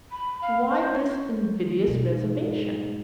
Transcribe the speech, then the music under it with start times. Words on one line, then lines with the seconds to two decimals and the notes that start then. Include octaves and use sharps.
Why this invidious reservation?
0.11 B5
0.42 F5
0.70 C5
0.93 C#5
1.87 G#2 B2